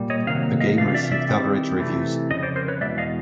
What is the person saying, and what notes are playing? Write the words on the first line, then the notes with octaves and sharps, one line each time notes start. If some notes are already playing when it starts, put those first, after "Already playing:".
The game received average reviews.
Already playing: A#2 G3
C#5 D#5
C3 D#3 F#3 A#3 F5
D#5 F5
C3 E3 A3 D4 F4 F5
F5
D5 E5
D5 E5
D#3 G3 C4 E4
C3 E3 A3
F2 C#3 D#5
C5 D5
A#4 C5
B4 C#5
E2 B2 G#3 D5 E5
D#5 F5